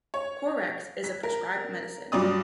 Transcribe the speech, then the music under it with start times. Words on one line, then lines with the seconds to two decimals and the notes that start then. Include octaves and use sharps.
Corex is a prescribed medicine.
0.14 C#5
1.04 B6
1.23 A#4
2.12 G2 F#3 F4 D5 D#6